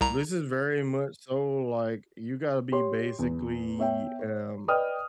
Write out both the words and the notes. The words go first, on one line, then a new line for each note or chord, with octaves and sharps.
this is very much so, like, you gotta be basically, um
C2 A#5
G4 C#5 C6
E2
B3 C#5 E5 G5
C#5
B4 D5 D#5 G5 D#6 F6